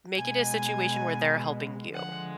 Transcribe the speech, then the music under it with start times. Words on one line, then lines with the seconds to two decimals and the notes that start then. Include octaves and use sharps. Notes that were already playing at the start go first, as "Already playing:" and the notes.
make it a situation where they're helping you.
0.16 B2 G#3 G#5
1.94 D3 F3 G#3 F#5